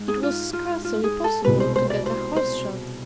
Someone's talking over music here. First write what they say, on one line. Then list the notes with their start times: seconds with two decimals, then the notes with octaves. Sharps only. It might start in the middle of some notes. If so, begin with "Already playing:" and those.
It was scarcely possible to get a horse shod.
Already playing: G#2
0.08 G#4
0.23 F4
0.53 F4
0.85 F4
1.04 G#4
1.24 A4
1.45 C2 B2 G#3 B4
1.60 C5
1.76 C5
1.90 D5
2.06 C5
2.36 C5